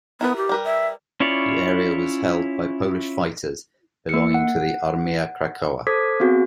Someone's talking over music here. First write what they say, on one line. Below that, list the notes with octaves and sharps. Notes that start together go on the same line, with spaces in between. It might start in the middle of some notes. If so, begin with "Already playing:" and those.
The area was held by Polish fighters belonging to the "Armia Krajowa".
B3 E4 A#4 B4
G4
G3 A#4 B4
E5
C#4 E4 F4 C#5 D5
A#3 C#7
F#5
A4 C5 D6 D#6 G#6 B6
B3 C4 F#4 G#4